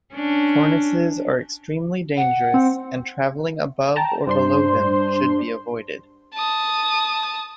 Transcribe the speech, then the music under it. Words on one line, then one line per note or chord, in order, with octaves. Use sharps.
Cornices are extremely dangerous and travelling above or below them should be avoided.
C#4 D4
F#5
C4
G5 A5 A#5
G2 D4 C5 C6
A5 D#6